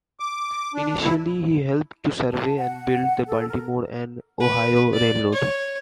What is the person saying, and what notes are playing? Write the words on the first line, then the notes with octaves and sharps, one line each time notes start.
Initially he helped to survey and build the Baltimore and Ohio Railroad.
D6
D4
E4
A5
F#5
A4
A#4
B4
D5
C#5